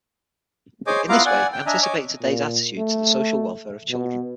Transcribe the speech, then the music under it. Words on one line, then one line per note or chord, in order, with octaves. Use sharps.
In this way he anticipated today's attitude to the social welfare of children.
G#4 C5 C#5 D#5 G#5 D6
B3 E4 F4 F5 A#5 D6
D5 F#5 G#5
G5
D4 D#5 E5 G#5 A#5
C#5 D#5 G#5 D6
A#2
A3
B2